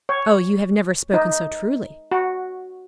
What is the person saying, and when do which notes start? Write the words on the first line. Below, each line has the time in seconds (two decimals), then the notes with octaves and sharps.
"Oh, you have never spoken so truly."
0.09 C#5
1.14 D#4
2.11 F#4